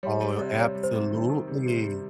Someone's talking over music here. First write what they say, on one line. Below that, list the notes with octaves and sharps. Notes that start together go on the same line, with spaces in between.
Oh, absolutely.
G3 C#5
G3
C3
G3 C#5
G3
C5
C3
D#3
D#3
G3
C3
G3